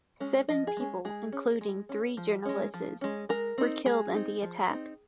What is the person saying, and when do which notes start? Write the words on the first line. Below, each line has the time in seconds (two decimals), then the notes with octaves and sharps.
Seven people, including three journalists, were killed in the attack.
0.20 G#3 C#4
0.49 F3 D#5
0.67 G#4
0.77 G#3 C#4
1.05 G#3 G#4
1.32 C#4
1.61 G#3
1.89 C#4
2.17 F3
2.45 G#3 C#4
2.74 F3
3.01 G#3 C#4
3.29 G#3 A#4
3.58 C4 D#4
3.86 G#3 G#4
4.14 C4 D#4
4.42 F3
4.70 C4 D#4